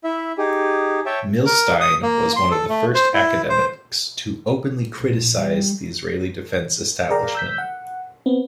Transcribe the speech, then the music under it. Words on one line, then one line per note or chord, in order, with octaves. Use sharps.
Milstein was one of the first academics to openly criticize the Israeli defense establishment.
E4 E5
D#4 G4 G#4
C#5 E5 G5 A5
A#4
D#6
A#3
C6
A4
A3
C5
E4
C5
A#1
G3
G#4 A#4 D5 F5 G5 A#5
E6 G6 B6
F#5
B3 C4